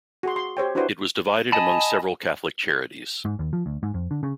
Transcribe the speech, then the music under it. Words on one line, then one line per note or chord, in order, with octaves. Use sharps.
It was divided among several Catholic charities.
F#4 G#4 C6
C6
G4 C5 C#5 G5
D4 E4 F#4 B4 C5
D#5 G#5 A5 B5
G#2
D#2
F3
D2
G#2
F2
D3
C#3